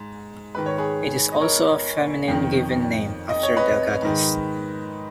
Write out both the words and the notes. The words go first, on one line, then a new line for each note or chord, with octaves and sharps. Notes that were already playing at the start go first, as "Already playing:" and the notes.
It is also a feminine given name, after the goddess.
Already playing: G#2
G#2 D#3 B4
C#5
G#4 B4
D#5
A#4 C#5
F2 D#3
D#5
C#5
B4 D#5
G#2 D#3